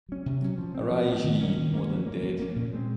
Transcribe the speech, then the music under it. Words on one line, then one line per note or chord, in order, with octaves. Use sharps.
Arise ye more than dead!
F#3 C#4
C3
F#3 C#4
F3
C4
F3
C4
D#3
A#3 C#4
D#3
A#3 C#4
F3
A#3 C#4
F3
A#3 C#4
A#2
G#3 C4